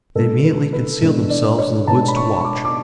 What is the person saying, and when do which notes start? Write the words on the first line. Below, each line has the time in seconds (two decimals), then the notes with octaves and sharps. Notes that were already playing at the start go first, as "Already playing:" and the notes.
They immediately concealed themselves in the woods to watch.
0.15 B2 G#3 B3 D4 A4
0.44 B4
0.73 B4
1.01 B2 G#3 B3 D4 B4
1.30 D5
1.58 C#5
1.87 B2 G#3 B3 D4 A5
2.08 B5
2.16 C#6
2.40 C#6
2.45 D6
2.65 D6